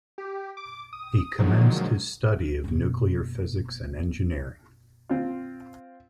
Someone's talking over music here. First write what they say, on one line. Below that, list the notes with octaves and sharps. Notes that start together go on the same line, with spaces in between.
He commenced his study of nuclear physics and engineering.
G4
D6
D#6
A#2 D3 D#3 F3 F#3 G#3
F#1 B2
C4 F4